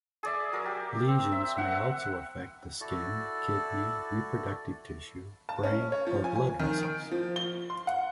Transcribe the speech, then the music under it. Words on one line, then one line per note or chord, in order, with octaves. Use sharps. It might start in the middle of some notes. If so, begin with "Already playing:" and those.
Lesions may also affect the skin, kidney, reproductive tissue, brain, or blood vessels.
G#4 D5 E5
F#3 A#4
G4
C4
E5
E5 F#5
E4 F#4 A4 D5
A5
C#4
C#5
F3
G#5
G#5
D#3
D7
F3
G7
C6
F#5